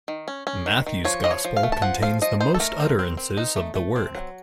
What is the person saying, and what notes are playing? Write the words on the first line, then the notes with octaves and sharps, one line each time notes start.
Matthew's gospel contains the most utterances of the word.
D#3
C#4
C#4
D#3
D#3
F3 C#5
F3 D#5
C#5
F3
F5
A3
A5
F3 F#5
F3 F5
F3 D#5
D#4 C5
A4
A3 A#4
C4
C4
C4
D#4
A3
A3
C4
F#3